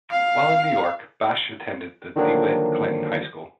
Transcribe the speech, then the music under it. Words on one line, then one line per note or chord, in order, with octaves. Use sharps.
While in New York, Basch attended the De Witt Clinton High School.
F5
D3 D#3 F3 F#3 A#3 D4